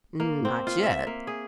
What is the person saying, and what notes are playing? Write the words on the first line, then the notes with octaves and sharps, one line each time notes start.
"Not yet."
A#3
C4
F4
E5
A#3
G#4